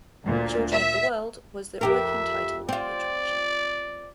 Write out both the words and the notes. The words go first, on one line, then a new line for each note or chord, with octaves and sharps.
"Children of the World" was the working title of the attraction.
D2 A#2
E5
F2 G4 A#4 E5
C4 F4 D5